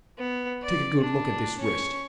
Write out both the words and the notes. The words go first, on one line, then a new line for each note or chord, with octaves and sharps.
Take a good look at this wrist.
B3
D5
D4
C#4 C#6